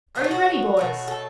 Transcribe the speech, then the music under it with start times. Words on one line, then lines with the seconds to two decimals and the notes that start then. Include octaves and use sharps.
"Are you ready, boys?"
0.15 B2 F#3 A3 D4
0.24 A4
0.31 F#4
0.77 B2 F#3 A3
1.08 A4